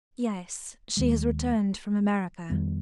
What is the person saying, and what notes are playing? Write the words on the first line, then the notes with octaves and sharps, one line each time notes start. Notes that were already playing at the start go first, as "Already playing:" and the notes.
"Yes; she has returned from America."
D#2 D#3 G#3
F2 D#3 G3 B3